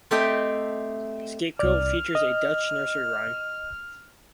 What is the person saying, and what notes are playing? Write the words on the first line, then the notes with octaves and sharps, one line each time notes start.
"Scapegoat" features a Dutch nursery rhyme.
A3 C4 G4 D#5 E5 G5
C2 D5 F6
D#5